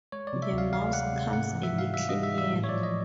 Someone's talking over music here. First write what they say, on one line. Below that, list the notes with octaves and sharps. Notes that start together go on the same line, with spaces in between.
The Mouse comes a little nearer.
G#3 C#5
D5
C3
E5
D2
F5
D#3 F5
G#3 F#5
C3
G#2 F#5
E3
E5
G#2
F5
G3 E5
G#2 D#5
E5
E3 E5
A2
C#5
F3 D5
D#5